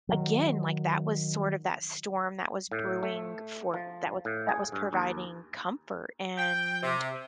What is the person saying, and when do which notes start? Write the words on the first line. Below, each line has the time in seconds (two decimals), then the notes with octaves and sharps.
again, like, that was sort of that storm that was brewing for that was that was providing comfort and
0.09 D#3 F#3
2.71 A2
3.03 A3
3.74 F3
4.25 A2
4.49 G#4
4.72 G2
4.93 D#2
6.38 G5
6.82 C3